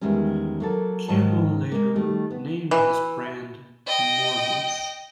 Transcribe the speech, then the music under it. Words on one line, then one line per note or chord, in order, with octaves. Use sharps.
Cuomo later named his band Mormos.
E2 D#3 G3 G#3 C#4
F#3 A#3 A4
G#2 D#3 C#5 A5
G#3 A#3
D#3 G3 A3
B3
E3
D#5 G5